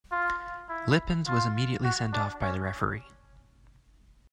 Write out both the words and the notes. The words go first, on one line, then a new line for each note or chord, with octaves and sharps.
Lippens was immediately sent off by the referee.
F4
E4
F4
F#4
D4
C#4